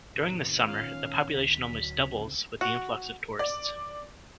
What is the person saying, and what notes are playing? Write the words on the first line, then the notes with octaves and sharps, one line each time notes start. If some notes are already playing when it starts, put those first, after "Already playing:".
During the summer the population almost doubles with the influx of tourists.
A2 C3 D#3 B3
C#4 F4 F5
A#2
D2 B6
D2 D3 F#3
C#3 C4
F#4
D5